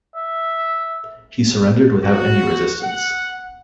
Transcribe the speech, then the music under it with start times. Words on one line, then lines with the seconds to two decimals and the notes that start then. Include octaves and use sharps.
He surrendered without any resistance.
0.16 E5
2.04 F#4
2.81 F#5